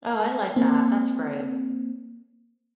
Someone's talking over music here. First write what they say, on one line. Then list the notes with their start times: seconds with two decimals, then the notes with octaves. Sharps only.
Oh, I like that, that's great.
0.56 A#3 C4